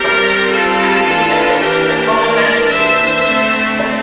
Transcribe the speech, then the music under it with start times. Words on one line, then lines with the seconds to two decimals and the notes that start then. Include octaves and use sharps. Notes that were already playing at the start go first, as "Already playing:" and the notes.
I will be with it as long as I can breathe.
Already playing: G3 C4 G4 A#4
0.48 F4 A4
1.04 E3 A#3 D4
1.59 G4 A#4
2.15 E3 A#3 D4 A#4 D5
2.69 C5 E5
3.25 D3 A3 C4